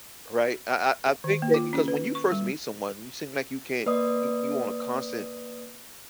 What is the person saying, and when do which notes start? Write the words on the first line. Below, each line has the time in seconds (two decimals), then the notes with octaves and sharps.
right? I I I think that because when you first meet someone, you seem like you can't you you want a constant
1.24 D#3
1.42 A#3
1.54 F4
1.73 C#4
1.88 B4
2.15 C#6
2.31 G3
3.86 A#3 B4 D5 D#5 D#6